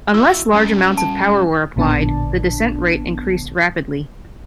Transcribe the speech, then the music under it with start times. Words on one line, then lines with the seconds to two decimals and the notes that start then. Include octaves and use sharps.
Unless large amounts of power were applied, the descent rate increased rapidly.
0.14 E4 F#4 E5 E6
0.53 G3 C#4 A#5
0.98 A5
1.76 A1 A#2 D3 B3 D4 A5